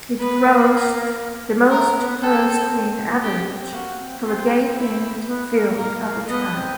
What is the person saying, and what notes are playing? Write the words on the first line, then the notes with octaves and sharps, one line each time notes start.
It grossed the most per-screen average for a gay-themed film at the time.
B3 B4
A#3
A3 A#4
B3
C4 A4
C#4 G4
C4
C4
C4
A#3 F#4
C4
C4 F4
E4
B3
A#3
A#3 A#4
A#3
B3 D#5
C4